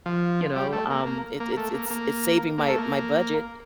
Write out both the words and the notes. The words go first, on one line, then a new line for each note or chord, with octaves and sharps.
you know, um, it it's it's it's saving my my budget.
F3
G3
A3
A#3
A#3
A#3
A3
A#3
A#3
A#3
A3
A#3